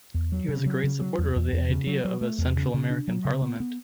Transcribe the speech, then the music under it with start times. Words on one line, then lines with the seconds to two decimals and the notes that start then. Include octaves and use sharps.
He was a great supporter of the idea of a Central American Parliament.
0.14 E2
0.32 F#3
0.49 C#3
0.66 F#3
0.84 C#3
1.01 F#3
1.18 E2
1.36 E2
1.53 E2
1.69 C#3
1.87 F#3
2.05 F#3
2.21 A3
2.38 E2
2.57 C#3
2.74 C#3
2.90 D4
3.08 F#3
3.25 C#3
3.42 B3
3.60 B3